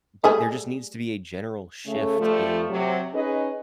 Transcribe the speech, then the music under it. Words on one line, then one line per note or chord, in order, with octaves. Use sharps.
but there just needs to be a general shift in
G3 A3 G#4
C#3 A3
F3 G3 A3
C3 F#3
C#4 D#4 G#4 B4 D#5